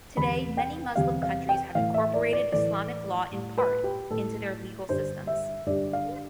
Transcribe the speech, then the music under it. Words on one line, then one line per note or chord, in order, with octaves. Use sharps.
Today, many Muslim countries have incorporated Islamic law in part, into their legal systems.
E2 C3 G3 B5
G5
E2 C3 G3 F5
F5
G5
A2 E3 A3 F5
E5
D5
D5
A2 E3 A3 D5
A2 G3
B4
G4
A2 G3 A4
G2 D3 G3 C5
E5
G2 D3 G3 D5
F5